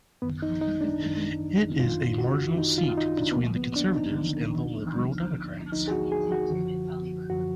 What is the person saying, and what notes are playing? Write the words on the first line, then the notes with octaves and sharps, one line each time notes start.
It is a marginal seat between the Conservatives and the Liberal Democrats.
F#2 D#3 B3
D#4
D#4
D4
F#2 D#3
F#2 D#3 F4
F#4
F#2 D#3 D#4
F4
D#4
D4
B3
D2 D3 F3 A#3
B3
D4
D#4
D2 D3 F3
D2 D3 F3
D2 D3 F3 D#4
G#4
F#4
G#4
F#4
F#2 D3 F3
F#2 D3 F3 F#4